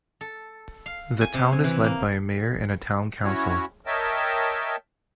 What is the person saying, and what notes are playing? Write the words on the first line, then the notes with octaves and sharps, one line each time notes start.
The town is led by a mayor and a town council.
A4
F5
G#5
C3
G#5
E3
A#3
C#4 E4 F#4 C#5
A#4 C#5 D#5 E5 G5 A5